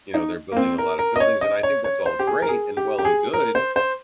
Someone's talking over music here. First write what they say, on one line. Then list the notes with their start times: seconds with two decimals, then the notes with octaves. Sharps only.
you know, they're building a lotta buildings, and I think that's all great and well and good.
0.14 D#4
0.52 A#3
0.57 C4
0.78 A#4
0.99 A#4
1.16 D#5
1.20 C#5
1.41 D#5
1.63 C#5
1.84 C#5
2.06 C5
2.19 G4
2.27 G#4
2.42 A#4
2.49 G#4
2.77 G4
2.99 G4
3.05 G#4
3.33 A#4
3.55 C5
3.76 C5